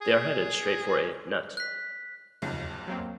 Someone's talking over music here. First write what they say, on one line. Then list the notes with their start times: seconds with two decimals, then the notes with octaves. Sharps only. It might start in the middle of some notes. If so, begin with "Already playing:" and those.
They are headed straight for a "net".
0.02 G#4
1.57 F#6 B6
2.42 F1 B1 F2 C#3
2.88 F#3 A#3 C4